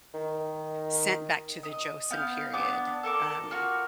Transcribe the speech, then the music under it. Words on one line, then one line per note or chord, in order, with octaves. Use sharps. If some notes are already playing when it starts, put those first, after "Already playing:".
sent back to the Joseon period, um,
D#3
D#5
B3 F5 G6
B3 D4 D6
A4 A#4 C#6 D6
F4 F#4 A#4